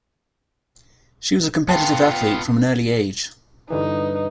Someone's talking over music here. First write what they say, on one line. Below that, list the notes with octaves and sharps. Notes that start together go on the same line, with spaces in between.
She was a competitive athlete from an early age.
B3 F4 G5 A5
G2 D3 E3 D#4 B4